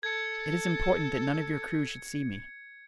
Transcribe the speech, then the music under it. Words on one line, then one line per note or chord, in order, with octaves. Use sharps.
"It is important that none of your crew should see me."
A4 G#6 C#7